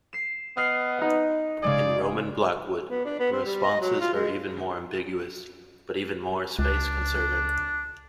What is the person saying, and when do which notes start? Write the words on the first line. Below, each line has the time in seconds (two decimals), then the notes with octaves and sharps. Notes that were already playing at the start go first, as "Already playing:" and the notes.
In Roman Blackwood, the responses are even more ambiguous, but more space-conserving.
0.13 C7 E7
0.57 B3 D#5 F6 C7
0.99 D#4 F#5
1.62 C#3 G#3 G#4 D5
2.90 B3
3.05 D4
3.19 B3
3.32 C4
3.45 G3
3.63 D#5
3.81 F#3
4.01 F4
4.14 G#3
6.59 C#2 D4